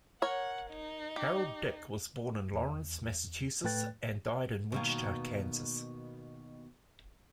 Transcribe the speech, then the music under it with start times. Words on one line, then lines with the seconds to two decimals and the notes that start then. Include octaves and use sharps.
Harold Dick was born in Lawrence, Massachusetts and died in Wichita, Kansas.
0.22 A#4 C#5 F#5
0.72 D#4
1.16 G4
2.54 E2
3.64 A2 A3 B4 G5 F#6 A6
4.72 B2 D#3 A#3